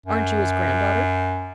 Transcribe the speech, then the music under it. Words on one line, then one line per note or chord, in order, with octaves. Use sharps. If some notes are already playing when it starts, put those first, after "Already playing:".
"Aren't you his granddaughter?"
F#2